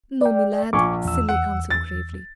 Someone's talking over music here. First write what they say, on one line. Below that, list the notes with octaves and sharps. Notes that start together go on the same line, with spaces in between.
"No, me lad," Cilley answered gravely.
D5 G5
A#1 G#5 C#6 D6
E2 E6
F#5
A6